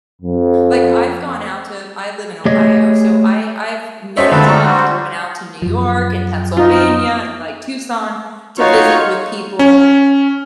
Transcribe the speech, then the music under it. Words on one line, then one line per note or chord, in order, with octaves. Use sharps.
Like I've gone out to I live in Ohio. So I I've many times driven out to New York and Pennsylvania and like Tucson to visit with people.
F2
A3 G4 G#4 C#5 D#5
C#4 D#4 F#4 A4 C5 C#5 E5
D3 G#3 A3 C4 B4 F5 G5 A5
D4 A4 A#5 C#6
G3 F#4 C5 F#5
F#2 F3
D#4 F4
D#4 F4 F#4 C#5 F5
C#4